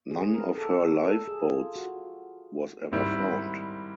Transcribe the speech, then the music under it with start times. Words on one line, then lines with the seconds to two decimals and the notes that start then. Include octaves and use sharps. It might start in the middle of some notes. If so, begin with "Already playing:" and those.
None of her lifeboats was ever found.
0.11 G#4
0.34 A#4
0.58 A4
0.82 A#4
1.04 A4
1.28 G#4
1.52 F4
1.76 F#4
2.92 G#2 D#3 G3 C4 E4